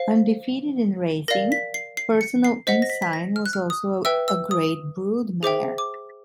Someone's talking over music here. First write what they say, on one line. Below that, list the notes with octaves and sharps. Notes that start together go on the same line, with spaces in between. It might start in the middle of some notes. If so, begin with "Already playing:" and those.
Undefeated in racing, Personal Ensign was also a great broodmare.
Already playing: C5 F5 C7
A#4 D5 F5 A#6
B6
C7
C7
C#7
C7
C5 D#5 F#5 B6
A#6
B6
B6
A#6
F6
F#6
F6
D#6
B4 E5 G5 E6
E6
D#6
G#4 C5 E5 G5 D6
D6